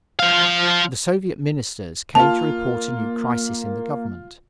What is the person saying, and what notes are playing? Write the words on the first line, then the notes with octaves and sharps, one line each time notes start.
The Soviet ministers came to report a new crisis in the government.
F3 F5
A#3 F4 A5 F7